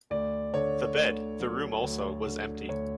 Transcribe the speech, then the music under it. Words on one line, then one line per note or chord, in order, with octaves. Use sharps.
The bed, the room also, was empty.
D2 D5
D3 C#5
D2
F#3
D2
D3
D2 C#5